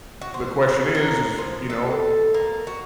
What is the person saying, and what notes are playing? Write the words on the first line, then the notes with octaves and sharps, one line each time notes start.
The question is is you know,
F#4
C5
A#4
F3
A4
A#3
F#4